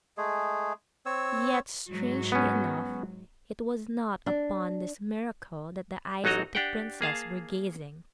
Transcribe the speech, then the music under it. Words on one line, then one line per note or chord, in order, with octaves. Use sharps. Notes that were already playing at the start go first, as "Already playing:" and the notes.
Yet, strangely enough, it was not upon this miracle that the eyes of the princess were gazing.
G#3 A3 G#4
C4 C#5 E6
G#2 F#3
B3 C#4
D4
A1 F#3 D#4 F#4 D#5 A#5
D4 G4 F#5 G5
A#3 G#4 F5 A5